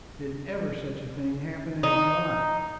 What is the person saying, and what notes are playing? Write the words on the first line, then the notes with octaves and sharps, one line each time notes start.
Did ever such a thing happen in my life?
D#4